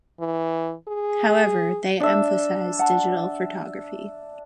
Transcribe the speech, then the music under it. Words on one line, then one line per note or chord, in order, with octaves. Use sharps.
However, they emphasize digital photography.
E3
G#4
D4 E5
F#5 A5